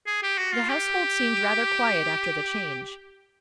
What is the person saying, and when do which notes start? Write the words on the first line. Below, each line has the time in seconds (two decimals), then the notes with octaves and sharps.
The household seemed rather quiet after the change.
0.07 G#4
0.23 G4
0.38 F#4
0.54 F4
0.70 G4